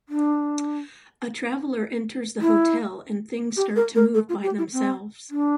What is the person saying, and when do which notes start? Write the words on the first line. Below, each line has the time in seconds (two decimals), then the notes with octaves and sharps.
A traveller enters the hotel and things start to move by themselves.
0.09 D4
2.41 E4
3.56 G4
3.76 A#4
3.95 A#4
4.14 A4
4.29 F4
4.43 G4
4.58 E4
4.73 C4
5.30 D4